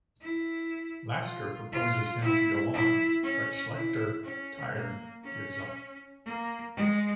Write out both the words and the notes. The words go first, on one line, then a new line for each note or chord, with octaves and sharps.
Lasker proposes him to go on, but Schlechter, tired, gives up.
E4
F4
F4
E4
E4
C#4
E4
C#4
A#3
C#4
A#3
G#3